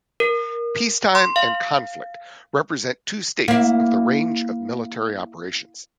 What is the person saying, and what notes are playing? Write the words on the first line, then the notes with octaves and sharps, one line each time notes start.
Peacetime and conflict represent two states of the range of military operations.
A#4
C6
F5
A#3 E4